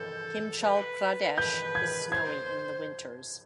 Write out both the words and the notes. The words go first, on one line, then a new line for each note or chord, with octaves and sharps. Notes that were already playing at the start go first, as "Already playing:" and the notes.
Himachal Pradesh is snowy in the winters.
Already playing: A4 G6
B4
B4 G6
G#6
C5 G#6